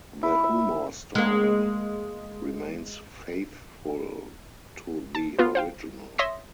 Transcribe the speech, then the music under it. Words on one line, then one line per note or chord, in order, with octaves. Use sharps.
The humour style remains faithful to the original.
E4
E5
G#3 A#3
A5
B3 F4 B4
C5 F5 G5
C#5 E5 C6 D#6 A#6 B6